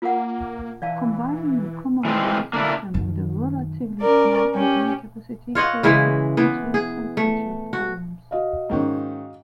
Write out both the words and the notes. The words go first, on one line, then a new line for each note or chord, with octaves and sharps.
Combining a common-rail system with a relatively small engine capacity created engine temperature problems.
A#3 F4 A#4 F#5
E3 D5 F5 A5
D#3 E3 G#3 C4
D3 A#3 D4 E4
F#2 D#3
C#4 A#4 D5
C#4 G4
F4 C#5 D#5 F#5
C#3 E3 G#3 E4
E3 B3
G#4
A3
F#4
F#4 D#5 F5
G#2 D#3 C#4